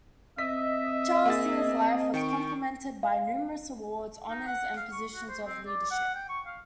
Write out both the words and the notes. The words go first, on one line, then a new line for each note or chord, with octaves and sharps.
Charles Singer's life was complemented by numerous awards, honors, and positions of leadership.
C4 D#5 E5 B6
A#3 G#4 A6
D#3 G5 C#6 D7
F5
D#4
F#5
F5
C#6
F#4
C5
C4
D5
F#5
G5
C#6
F5